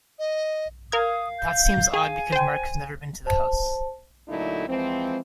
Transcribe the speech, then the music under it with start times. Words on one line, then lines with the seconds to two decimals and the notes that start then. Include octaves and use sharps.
That seems odd because Mark has never been to the house.
0.18 D#5
0.92 A#4 F5 D#6 F6 G#6
1.39 G6
1.94 G#4 G#5
2.32 C5 G5
3.26 C5 A5
4.28 A#2 D3 F#3 A3 D#4 E4
4.68 E3 F3 G#3 C4